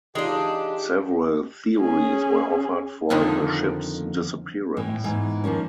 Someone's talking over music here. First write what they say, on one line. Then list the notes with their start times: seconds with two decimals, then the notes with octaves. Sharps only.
Several theories were offered for the ship's disappearance.
0.15 E3 G#3 D4 D#4 F4 G4
1.79 C#4 G#4
3.10 F2 D3 D#3 F3
4.77 A2 E3
5.04 E2 G#2 E3
5.44 D#3 F3 A#3 C#4